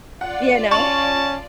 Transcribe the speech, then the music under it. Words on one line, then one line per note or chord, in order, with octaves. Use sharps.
You know?
F4 D5 F#5
C#4 A5 C#6 F7 F#7